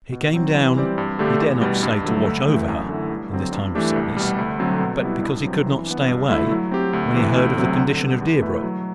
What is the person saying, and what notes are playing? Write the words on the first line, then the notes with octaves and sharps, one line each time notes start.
He came down--he dared not say to watch over her in this time of sickness--but because he could not stay away when he heard of the condition of Deerbrook.
B2
F#3 C4
E3
G3 C4 G4 D5
G2
D3 A3 D4 G4
E2
B2 G3
G2
D3 F#3 A3
D2
C3 E3 A3
F#2
D3 A3 E4
G2
D3 F#3 C4
G2
E3 A3 D4 G4
C2
B2 G3
D2
D3 F#3 C4
B2
G3 B3 E4
G2
F#3 C4
E3
B3 D4
G2
D3 A3 E4
F#3
C4 G4
D2
C3 E3
D2
C3 F#3 C4
D3
G3 B3
E2
B2 A3 E4 B4
F#3